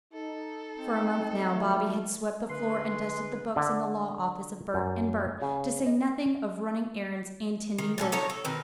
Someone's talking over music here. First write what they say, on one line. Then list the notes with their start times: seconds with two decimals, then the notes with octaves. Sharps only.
For a month now Bobby had swept the floor and dusted the books in the law office of Burt & Burt, to say nothing of running errands and tending door.
0.13 D#4 A4
0.76 C4
1.51 D#3 F#3 A3
2.50 D3 G#3 B4 C6
3.56 D3
4.74 F#2
5.42 C#3
5.86 D#5
7.78 D#3
7.98 A#2 C#4 A4
8.12 D#4 A4 A#4 C#5
8.30 A4
8.44 B2 D#3 C4 B4